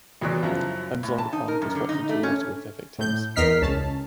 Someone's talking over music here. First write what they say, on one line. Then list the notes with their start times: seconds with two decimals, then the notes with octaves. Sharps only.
Homes along the pond were swept into the water with their victims.
0.21 B1 E2 F#3 D5 D#6 F#6
0.43 F#2 C#3 F3 E4
1.03 A2
1.18 A5
1.33 D#4
1.48 A#4
1.62 F#2
1.75 D3
1.89 D#4
2.09 A3
2.23 C#4
2.99 A2 G6
3.36 E2 A#4 D#5 F6 B6 C7
3.62 C#2 C#4 A5